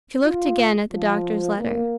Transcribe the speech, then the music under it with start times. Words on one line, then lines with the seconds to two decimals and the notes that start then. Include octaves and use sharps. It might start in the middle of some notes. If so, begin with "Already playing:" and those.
She looked again at the doctor's letter.
0.24 F4
0.93 F3
1.57 A#3